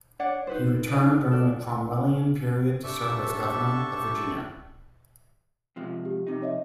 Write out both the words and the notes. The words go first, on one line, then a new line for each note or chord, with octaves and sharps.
He returned during the Cromwellian period to serve as Governor of Virginia.
D4 C#5 D5 F#5
D#4 B4 C5
D#4 C5 D5 F5
A4 D5
D4 G4 A4 E5 A5 C#6
C3 F3 G#3
G4
F2 C3 D#4
C#5 D#5 E5